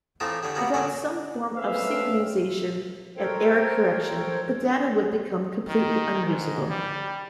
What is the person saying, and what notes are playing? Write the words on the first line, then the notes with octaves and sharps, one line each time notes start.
Without some form of synchronization and error correction, the data would become completely unusable.
A2 E3 A3 C4 D#4 F4
D3 G3 C#4
B2 F#3 G3 A#3 B3
A#2 D3 F#4 C#5 G#5
A3 C4 C#4 B4 E5 F5
A4 A#4 C5 C#5 G5
D#3
G#2
G3